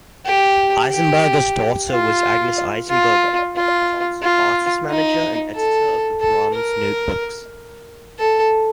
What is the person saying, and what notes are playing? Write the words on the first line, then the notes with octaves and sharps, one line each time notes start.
Eisenberger's daughter was Agnes Eisenberger, concert artist manager, and editor of "The Brahms Notebooks".
G4
G4
F4
F4
F4
F4
D#4
A4
A4
A#4
A4